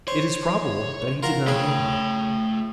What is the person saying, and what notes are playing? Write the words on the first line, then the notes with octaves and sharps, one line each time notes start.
It is probable that he did not hear them.
C5 C#5
F4 A#4 F#5
C#3 A3 G#4 G5